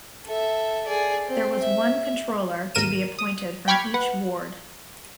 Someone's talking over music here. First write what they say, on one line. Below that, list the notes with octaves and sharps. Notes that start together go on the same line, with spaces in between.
There was one Controller to be appointed from each ward.
A4 E5
G#4 D5
C4
E5
A1 D#2 G#2 A#4 D#7 E7
D#6
G5 B5 C#6 D6 F6 G#6
B4 F#5